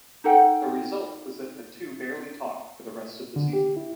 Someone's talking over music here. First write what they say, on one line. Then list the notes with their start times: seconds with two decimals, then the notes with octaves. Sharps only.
The result was that the two barely talked for the rest of the season.
0.24 D#4 A4 F#5 G5
3.36 D3
3.53 G4
3.77 E4